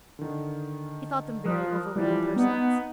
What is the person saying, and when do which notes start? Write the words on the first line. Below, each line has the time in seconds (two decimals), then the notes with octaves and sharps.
He thought them very over-rated persons.
0.19 D3 D#3
1.45 F3 A#4 D#6 F#6
1.96 E3 F3 G3
2.36 B3 D#4